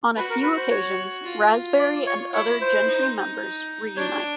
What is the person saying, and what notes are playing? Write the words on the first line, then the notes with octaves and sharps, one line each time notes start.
On a few occasions, Raspberry and other Gentry members reunite.
F#4 B4
A#4
B4
C5
C#5
F4
D5
C#5
E4 C#5
C5
D#4
D4 C#5